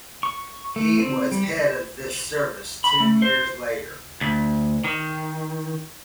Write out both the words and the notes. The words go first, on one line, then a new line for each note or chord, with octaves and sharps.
He was head of this service ten years later.
C#6
A3
C4
G3
B5
A3
C5
D2
D#3